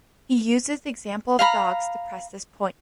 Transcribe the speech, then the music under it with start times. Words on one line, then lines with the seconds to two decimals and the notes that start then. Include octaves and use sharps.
He uses the example of dogs to press this point.
1.39 F5 A#5 B5